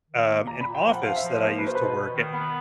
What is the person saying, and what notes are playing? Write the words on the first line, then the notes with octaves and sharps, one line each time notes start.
um, an office that I used to work in,
D#3
A#3
A#2 A#5
B5
A#2
G5
F3 F#5
F3 F5
E5
F3
C5
A#3 A#4
B2 B4
C5
B2 B4
B2
D#3
B3